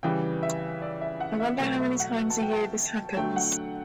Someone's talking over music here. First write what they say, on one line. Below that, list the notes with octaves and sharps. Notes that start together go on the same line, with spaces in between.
I wonder how many times a year this happens.
C#3 E3 G3 G5
E5
D5
E5
F#5
E5
B2 F#3 A3
E5
F#5
A5
G5
A5
D3 F#3 A3 G5
F#5